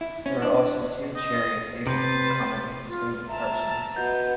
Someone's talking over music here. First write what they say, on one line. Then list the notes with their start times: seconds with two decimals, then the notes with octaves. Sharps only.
There are also two chariots able to accommodate disabled persons.
0.01 E4
0.26 C#4
0.42 D4
1.15 D#5
1.87 C3 B4 C5 A6
2.88 F4
3.28 E5 A5 A#5
3.96 B3 F#4 D#5 G6